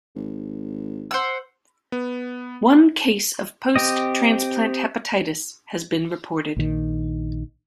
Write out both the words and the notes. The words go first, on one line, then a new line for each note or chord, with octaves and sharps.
One case of post transplant hepatitis has been reported.
G#1
C5 F#5 E6
B3
C4 G4 D#5
A#1 D#3